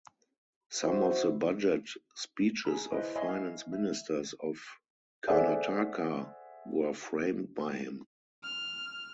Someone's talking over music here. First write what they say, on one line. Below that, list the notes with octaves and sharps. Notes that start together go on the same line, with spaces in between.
Some of the budget speeches of Finance Ministers of Karnataka were framed by him.
E4 F#4 C5
G#4 A#5 B5
E4 B4 C5 D#5
C#5 D#5 E5 G#5 B5 C6
F5
E5
G#4 A4 C5 D5 E5 F#5
F6